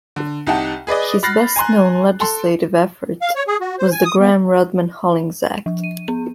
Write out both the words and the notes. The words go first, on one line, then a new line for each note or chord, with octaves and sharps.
His best-known legislative effort was the Gramm-Rudman-Hollings Act.
D3
C2 D#4 G4 F#5 A5
G#4 B4 D5 D#5
B5 F6 F#6 A6 A#6 C7
G#5 A#5 C6 F#6
A4 C6
F5
C#5
G#4
F#4
C5
G#5
D#6
E2
F3
D#7
B3